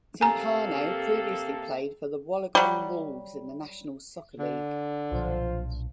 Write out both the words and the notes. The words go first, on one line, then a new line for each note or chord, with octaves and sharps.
Timpano previously played for the Wollongong Wolves in the National Soccer League.
C3 A#3 A4 G#5 A#5
F#3 G3
D3
B1 A#2 F3 D4 F4 C5